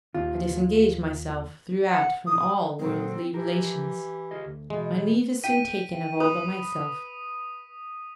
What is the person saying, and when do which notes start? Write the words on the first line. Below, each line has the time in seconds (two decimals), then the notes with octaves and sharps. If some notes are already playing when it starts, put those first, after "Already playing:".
I disengage myself throughout from all worldly relations; my leave is soon taken of all but myself.
0.14 D#2 F4
1.87 F#5
2.26 D#6
2.79 A#2 D3 F#3 G#3 C4
3.34 E3 F3 G4 A#4
4.31 F4 G#4 D#5
4.44 D2
4.70 B2 E3 G#3
5.44 G5 B6 D#7
6.20 B4 D#6